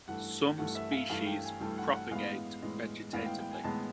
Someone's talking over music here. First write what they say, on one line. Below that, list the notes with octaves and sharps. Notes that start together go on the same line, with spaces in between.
Some species propagate vegetatively.
G2 E3 A3 F#5
G2 E3 A3 F#5
E5
F5
G2 E3 A3 F5
G5
G#5
G2 E3 A3 G5
F#5
F#5
A2 E3 G#3 B3 F5
A2 E3 G#3 B3
A2 E3 G#3 B3 F5
G5
G5
G#5
A2 E3 G#3 B3 A5